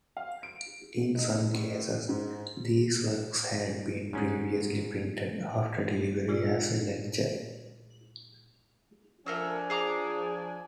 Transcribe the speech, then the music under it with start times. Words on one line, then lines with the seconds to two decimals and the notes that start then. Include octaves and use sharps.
In some cases these works had been previously printed after delivery as a lecture.
0.17 F5
0.43 D7
1.15 D#4
1.54 A2
2.09 G#2
4.13 G#2 C#4 G#4
6.28 A#2 G#3 F4 G#4 D5 E6
9.26 F3 A3 D4 A#4 G#5 E6
9.70 G#4 A#5 D6